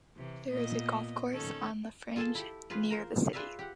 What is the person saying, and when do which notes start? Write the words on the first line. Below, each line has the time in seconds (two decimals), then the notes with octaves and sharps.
There is a golf course on the fringe near the city.
0.16 C3 E3
0.51 A#2 B3 D#5
1.33 D#3 C#4 A4
2.16 F4 G#4 A4 G#5 A5
2.35 E4 G4
2.70 E3 F4 G#4 B4
2.90 A#4 C5
3.33 F4 G#4 B4 D5 E5 F5
3.59 G4 F#5